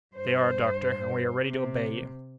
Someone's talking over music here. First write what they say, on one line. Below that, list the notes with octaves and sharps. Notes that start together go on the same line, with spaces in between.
"They are, doctor, and we are ready to obey you."
G2 C5
C3